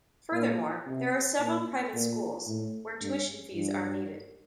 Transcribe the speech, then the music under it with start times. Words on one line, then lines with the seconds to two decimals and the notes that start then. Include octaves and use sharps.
Furthermore, there are several private schools, where tuition fees are needed.
0.33 A#2
0.86 C3
1.40 A#2
1.94 A#2
2.47 A2
3.01 G2
3.55 G2